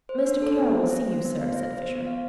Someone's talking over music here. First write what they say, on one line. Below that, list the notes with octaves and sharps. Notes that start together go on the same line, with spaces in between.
"Mr. Kara will see you, sir," said Fisher.
C5
D4
A4
B3
C5
F4
C5
B3
F5
F4
C5
B3
F5